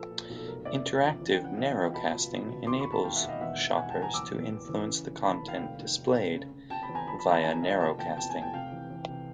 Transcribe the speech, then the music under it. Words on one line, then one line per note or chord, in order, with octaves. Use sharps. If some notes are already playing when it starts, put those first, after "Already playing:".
Interactive narrowcasting enables shoppers to influence the content displayed via narrowcasting.
Already playing: A#2 F3 A4 B4
A#2
B1
A4
F1 A#4
F1 D5 E5
C#3
F3
E3
G5
C#3
F#5
E3 D#5 F5
C#2
B2 A5 B5
C#2
C#2
B2
D#2 C6 D6
B5 C#6
E1
A5 B5
D#2 F5 G5
E5 F#5
E1
D#5 F5
E2 E5 F#5
E2
E1 F#5 G#5
G5 A5
E3
G#5 A#5
F#1 D6 E6
E3
E2
E3
C#3
F1
D#2 A5 B5
D#2
F5 G5
F1 F5 G5
D#3
F1
F1
C#3
C#3
C#3 G5 A5
A5 B5
E2
G#5 A#5
F3 A5 B5
A5 B5
D#2 A#5
A5 B5
F3 G#5 A#5
F3 D#5 F5
F1 G5 A5
E2 G5 A5
E3 G5 A5
G#5
F1
G5 A5
C3 F5 G5
E3
E3
C3